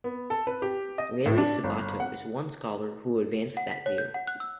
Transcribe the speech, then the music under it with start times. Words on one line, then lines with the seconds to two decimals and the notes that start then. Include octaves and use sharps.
Larry Sabato is one scholar who advanced that view.
0.04 B3
0.30 A4
0.47 B4
0.62 G4
0.98 D#5
1.26 A2
1.37 D4
1.64 G1
2.00 F#5
3.57 F#5
3.71 B6
3.86 C#5
3.98 G6
4.14 F#5
4.27 F#6
4.40 E6